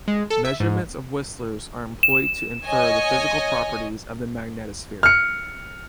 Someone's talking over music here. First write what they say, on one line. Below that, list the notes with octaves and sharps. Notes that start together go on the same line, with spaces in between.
Measurements of whistlers are employed to infer the physical properties of the magnetosphere.
G#3
A4
E5
G#2
E7
C#5 D#5 G#5
F6 C#7